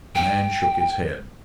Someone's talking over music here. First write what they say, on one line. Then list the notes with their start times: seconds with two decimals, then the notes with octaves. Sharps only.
The man shook his head.
0.15 G5